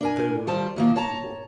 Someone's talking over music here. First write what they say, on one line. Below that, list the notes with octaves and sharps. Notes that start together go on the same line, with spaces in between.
But they were "good people".
D4 A#4 G#5
D#3 G3 F4 C5 A5
A2 D#3 A#3
C#5 A5 A#5